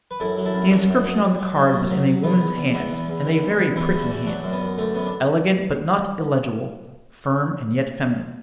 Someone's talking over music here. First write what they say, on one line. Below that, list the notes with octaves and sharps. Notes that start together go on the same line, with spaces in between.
The inscription on the card was in a woman's hand, and a very pretty hand--elegant but not illegible, firm and yet feminine.
B4
F#2 E4 A4
F#3
E4 A4
F#2
F#3 D4 F#4
F#2
F#3
F#3
F#3
F#3
F#2
F#3
F#3
E2 B3
E2
E2
E3 B3
E2
E2
E3
E2
E2
E2 B3 E4
E2
D4 F#4
E3
F#3 D4 F#4
F#2
B3
F#2
D3 A3
F#2 B3
D4